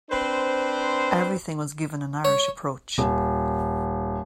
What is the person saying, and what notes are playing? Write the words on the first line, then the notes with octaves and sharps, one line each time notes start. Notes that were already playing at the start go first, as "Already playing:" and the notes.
Everything was given an Irish approach.
C4 D4 B4 C5
C#5
D#1